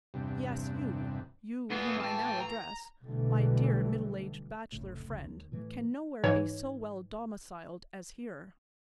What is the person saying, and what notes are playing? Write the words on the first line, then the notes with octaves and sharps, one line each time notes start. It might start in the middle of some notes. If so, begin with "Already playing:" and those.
Yes, you, you whom I now address, my dear, middle-aged bachelor friend, can nowhere be so well domiciled as here.
E2 G2 C3
A2 E3 B3 F4 G#4
G5 A5
A#5
B1 B2 D3 E3 G3 A3
F1 C#2 A2
F1 C#2
D#2
A2 E3 G#3 A3
G#2 E3 C#5